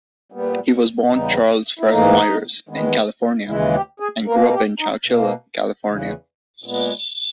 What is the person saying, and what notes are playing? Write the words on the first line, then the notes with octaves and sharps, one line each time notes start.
He was born Charles Farrell Myers in California, and grew up in Chowchilla, California.
A#2 G3 B3
E2 C#3 G3 B3 D#4
E4
G#2 E3 A#3 D#4
E2 D#3 G#3 B3
D#2 C#3 E3 G#3 E4
G4
G#4
B2 A#3 A#4
G4
D#4
B2 A#3
E2 C#3 E3
A#2 G#3 B3